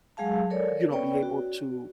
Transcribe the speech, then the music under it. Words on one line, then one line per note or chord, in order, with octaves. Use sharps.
you know, be able to
F#3 G#3 G#4 F5 A5
A4 A#4 C#5 D5
B3 C#4 B4 C#5 D5 G5
F#4